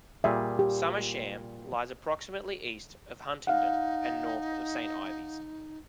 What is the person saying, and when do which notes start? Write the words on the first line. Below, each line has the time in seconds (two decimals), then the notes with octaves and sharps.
Somersham lies approximately east of Huntingdon and north of Saint Ives.
0.24 A#2 G3 G#4 E5
0.59 G4
3.47 D#4 F5 F#5